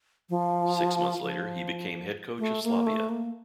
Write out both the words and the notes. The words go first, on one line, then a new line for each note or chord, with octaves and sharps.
Six months later, he became head coach of Slavia.
F3
F3
A3
A#3
A3
A#3